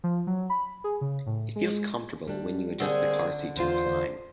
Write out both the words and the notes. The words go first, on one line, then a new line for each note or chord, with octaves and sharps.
It feels comfortable when you adjust the car seat to recline.
F3
F#3
B5
G#4
C#3
A2
G#3
G3 D4
D3 A#3 C4 G#4
E2 F4 C5